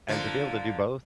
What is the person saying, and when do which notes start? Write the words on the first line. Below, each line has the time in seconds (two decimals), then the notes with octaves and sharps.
and to be able to do both
0.08 D3 F3 A#3